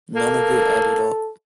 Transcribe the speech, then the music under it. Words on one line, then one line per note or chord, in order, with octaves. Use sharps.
None of it added up.
A#3 A4